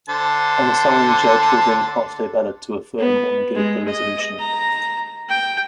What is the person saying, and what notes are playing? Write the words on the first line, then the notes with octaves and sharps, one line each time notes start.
An assigned judge will then cast a ballot to affirm or negate the resolution.
D3 C5 A5
B3
G#3
D#5
A#5
G5